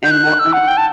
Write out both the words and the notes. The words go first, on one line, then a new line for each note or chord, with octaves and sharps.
And what no
G6
F#6
E6
F#5
G5
A5